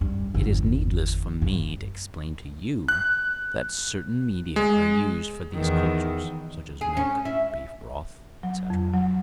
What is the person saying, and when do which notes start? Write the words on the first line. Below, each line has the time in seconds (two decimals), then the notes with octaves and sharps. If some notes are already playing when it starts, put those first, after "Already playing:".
It is needless for me to explain to you that certain media are used for these cultures, such as milk, beef-broth, etc.
0.01 G2
0.34 G1 E2
1.42 G2
2.88 F#6
4.56 G#3
5.53 E2 D#3
6.81 G#4
6.97 C#4
7.25 E4
8.43 F#3
8.70 F2
8.93 F#3